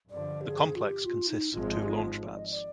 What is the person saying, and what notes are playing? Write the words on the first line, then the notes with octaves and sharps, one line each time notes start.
The complex consists of two launch pads.
G2 D3 F3 D5
G4
G#4
F4
G4
F4
D#4
G#1 G#2 F3 G#3 F4
G4
F4
D5
D#5
D5